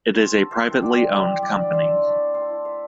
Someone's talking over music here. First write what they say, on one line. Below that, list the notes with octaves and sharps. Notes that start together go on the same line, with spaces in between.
It is a privately owned company.
F#3 A4 C5
C5 E5
C4 E4
D5 F#5
G3 E5 G5
D5 F#5
D4
C5 E5
A3
A4 C5
E4
C5 E5